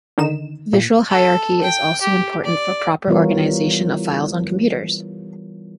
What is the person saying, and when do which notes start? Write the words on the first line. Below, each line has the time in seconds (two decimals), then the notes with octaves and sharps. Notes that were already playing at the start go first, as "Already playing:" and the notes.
Visual hierarchy is also important for proper organization of files on computers.
0.18 D3 D#3 D#4 E7
0.73 A#2
1.09 A4
1.61 G5
2.01 G4
2.45 D5
3.08 E3 G3 B3 F4 A#4 C#5